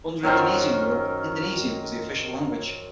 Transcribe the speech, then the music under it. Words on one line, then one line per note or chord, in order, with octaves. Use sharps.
Under Indonesian rule, Indonesian was the official language.
F#2 D#3 A#4 C5